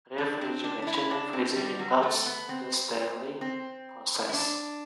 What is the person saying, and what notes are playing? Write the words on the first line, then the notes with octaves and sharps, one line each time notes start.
Refrigeration and freezing retards the staling process.
D4
C4
D4
D4
E4
D4
C4
G3
F#3
A3
B3
C4
C4
E4
D4